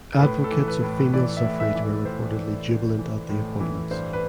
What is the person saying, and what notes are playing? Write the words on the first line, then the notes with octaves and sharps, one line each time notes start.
Advocates of female suffrage were reportedly "jubilant" at the appointments.
A4
A2 B4
A4
E3
B4
A2
E3 D5
E5
A2
E5
E3
E5
A2 C5
E3
A2
E3
A2
E3
G2 C5
B4